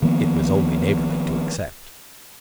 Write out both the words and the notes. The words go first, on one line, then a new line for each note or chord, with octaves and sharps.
It was only neighbourly to accept.
D#3 F3 A#3 B3